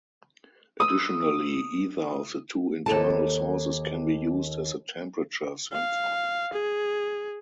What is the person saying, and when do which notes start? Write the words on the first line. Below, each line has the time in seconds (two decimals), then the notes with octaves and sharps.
Additionally, either of the two internal sources can be used as a temperature sensor.
0.80 D#6 E6
2.86 D#2 G#2 A4 A5
5.72 F5
6.53 G#4